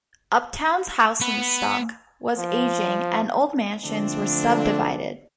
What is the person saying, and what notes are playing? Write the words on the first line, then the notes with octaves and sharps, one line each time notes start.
Uptown's housing stock was aging, and old mansions were subdivided.
B3 B4
F3
D3 F3 A3 C4 D4